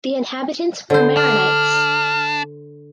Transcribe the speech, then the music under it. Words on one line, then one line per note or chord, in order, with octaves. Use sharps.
The inhabitants were Maronites.
D3 C5
D4 F6